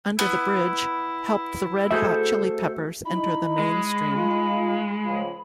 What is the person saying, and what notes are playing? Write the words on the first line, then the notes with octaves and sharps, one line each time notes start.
"Under the Bridge" helped the Red Hot Chili Peppers enter the mainstream.
B3 E4
A3 F#4 G#4 A4 C5 E5
D#4 E4 B5
G#3
D#4 F4
C#2 F3